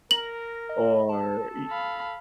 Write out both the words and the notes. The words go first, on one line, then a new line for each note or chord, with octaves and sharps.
Or y
A#4 A#6 F#7
D#5
A4 A5
F5 B5